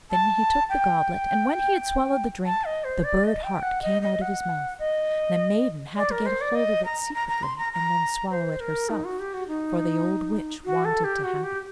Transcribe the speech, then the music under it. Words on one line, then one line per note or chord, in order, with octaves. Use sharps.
Then he took the goblet, and when he had swallowed the drink the bird-heart came out of his mouth. The maiden had to get hold of it secretly and then swallow it herself, for the old witch wanted to have it.
A5
G5
A5
D#5
C5
D5
D#5
G5
F#5
D#5
D#5
F#5
D#5
D5
A#4
C5
D5
D#5
A#5
A#5
A#5
C6
A#5
A#5
C5
A#4
D#4
F#4
G4
F#4
D#4
F#4
A4
G4
F#4
G4